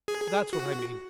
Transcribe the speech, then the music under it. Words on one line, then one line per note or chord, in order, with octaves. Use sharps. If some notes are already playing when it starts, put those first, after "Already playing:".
That's what I mean.
G#4
F#4